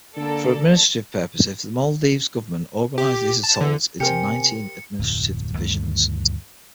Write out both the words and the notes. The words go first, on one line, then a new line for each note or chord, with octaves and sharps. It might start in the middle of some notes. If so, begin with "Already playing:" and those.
For administrative purposes the Maldives government organized these atolls into nineteen administrative divisions.
D3 A#3 A4 D5
G4
A5
D3
C3 G4 A#4 C5 G#5 C#7
D1 F2
D2 G2 D#3 A3